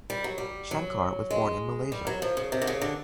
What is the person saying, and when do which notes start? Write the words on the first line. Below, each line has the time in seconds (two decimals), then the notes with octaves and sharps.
Shankar was born in Malaysia.
0.10 G3
0.24 F#3
0.38 G3
0.71 F#3
1.31 G#3
1.92 G3
2.07 F#3
2.22 F3
2.37 C#3
2.52 C3
2.62 D3
2.67 C#3
2.81 D3